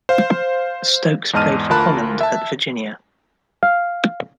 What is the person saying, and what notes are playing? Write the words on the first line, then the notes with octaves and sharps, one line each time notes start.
Stokes played for Holland at Virginia.
C5 F5
E2 G#2 D#5 A5 F6 D#7
D2 F4 A#4 A5 B5 F#6
E5 A5
F5